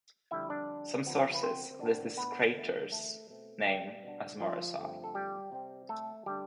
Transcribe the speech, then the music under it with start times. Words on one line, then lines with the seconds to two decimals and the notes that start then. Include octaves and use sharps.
Some sources list this crater's name as Morosov.
0.31 F2 D3 G3 E4 E5
0.50 D4 D5
1.06 C3 F3 B3 D4
1.34 B4
1.43 C4 C5
1.80 A2 E3 B3 D4
2.17 B3 B4
2.54 E2 D3 A3
2.92 A3 A4
3.29 B2 A3 C4
3.66 G3 G4
4.03 B2 B3 D4
4.40 F3 F4
4.78 G2 D3 F3 A3 C4
5.04 A4
5.15 G3 G4
5.52 C3 G3 C4
5.89 A3 A4
6.26 D3 G3 A3 D4 G4